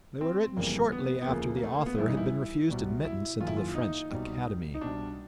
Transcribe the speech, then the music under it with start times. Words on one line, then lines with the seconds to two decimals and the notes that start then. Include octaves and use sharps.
They were written shortly after the author had been refused admittance into the French academy.
0.21 C4
0.56 G1 F2 C#3 E3 G3 A#3
0.92 B3
1.22 B3
1.27 D2 C#3 F3 A#3
1.57 A#3
1.64 A3
1.74 A#3
1.86 B3
1.98 A1 G2 E3 G3 E4
2.08 D#4
2.17 E4
2.69 C2 B2 G3
3.05 E4
3.40 F#1 F#2 D#3 F4
3.48 E4
3.57 F4
3.75 D#4
4.11 C2 B2 G3
4.74 D#4
4.81 C2 B2 G3 D4